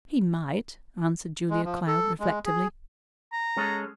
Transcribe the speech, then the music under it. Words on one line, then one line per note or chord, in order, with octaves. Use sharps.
"He might," answered Julia Cloud reflectively.
G#3
F3
A4
G#3
G#4
A#5
G#3 C#4 A4